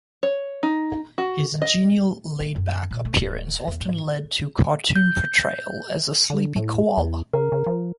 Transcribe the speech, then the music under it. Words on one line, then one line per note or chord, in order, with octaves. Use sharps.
His genial, laid-back appearance often led to cartoon portrayal as a sleepy koala.
C#5
D#4
F#4
D#5
A3
F#2
A#2
A3
D1
E2
G#2
G6
D3
A2
E2
C#3 A#4
C#3
F3